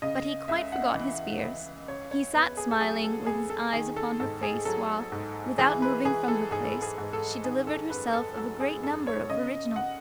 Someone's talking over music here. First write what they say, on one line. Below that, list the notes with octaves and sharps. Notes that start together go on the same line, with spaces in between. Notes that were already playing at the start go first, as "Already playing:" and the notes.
But he quite forgot his fears; he sat smiling, with his eyes upon her face, while, without moving from her place, she delivered herself of a great number of original reflections.
C#3 D#5
C#2 E5
F#5
E3
C#2
C#3 C#5
C#5
E2 B4
G#4
A4
F#3 G#4
A4
E2 G#4
A4
D#3 G#4
A4
G#2 A4
G#4
F#3 A4
G#2
E3 G#4
B4
E3 G#4
A4
G#2 G#4
G#4
G#2
A4
D#3 G#4
A4
F#2 B4
A4
F#3 A4
G#4
F#2 A4
C#5
C#3 D#5
F#5